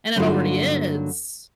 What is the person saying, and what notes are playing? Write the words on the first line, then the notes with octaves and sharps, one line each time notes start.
And it already is.
G2 D3 F#3 A#3 D#4 F4